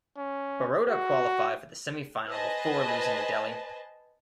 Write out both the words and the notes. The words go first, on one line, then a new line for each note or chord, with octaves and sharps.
Baroda qualified for the semifinal before losing to Delhi.
C#4
F#4
B4 C5 D#5 G#5 A5